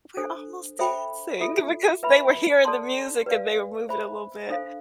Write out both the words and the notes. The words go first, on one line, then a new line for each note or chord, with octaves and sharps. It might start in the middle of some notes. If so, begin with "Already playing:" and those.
"We're almost dancing" because they were hearing the music, and they were moving a little bit,
D4 A4 C5
A4 C5 E5 G5 B5
F4 A4 E5
B4 E5 B5
A4 D5 A5 C6
B4 D5 F5
C5 E5 B5
D4 A4 C5 F5